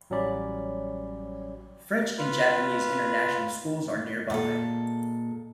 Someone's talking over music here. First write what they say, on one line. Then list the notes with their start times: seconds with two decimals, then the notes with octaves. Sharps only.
French and Japanese International Schools are nearby.
0.10 A1 F#3 G3 C#4 D5 B5
2.18 F4 B4
4.30 A#2 G#3 A4